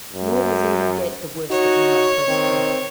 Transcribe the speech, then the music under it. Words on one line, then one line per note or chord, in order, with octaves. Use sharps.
Nor was even debt the worst that now oppressed her.
F#2
D#4 F#4 C#5
D#3 C4